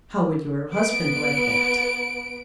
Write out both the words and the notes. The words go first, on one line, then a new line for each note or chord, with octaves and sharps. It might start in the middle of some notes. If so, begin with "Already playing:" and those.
"How would your husband like that?"
B3 D7